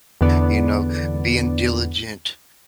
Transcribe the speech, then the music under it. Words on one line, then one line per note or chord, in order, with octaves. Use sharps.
you know, being diligent.
E2 D3 B3 D5